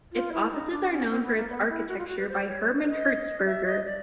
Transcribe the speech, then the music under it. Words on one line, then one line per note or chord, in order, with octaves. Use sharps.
Its offices are known for its architecture by Herman Hertzberger.
F4
E4
D#4
D4
C#4
C4
B3
A#3
B3
E4
F#4
F4
F#4
B4
C5
C#5
D#5
E5
D#5
D5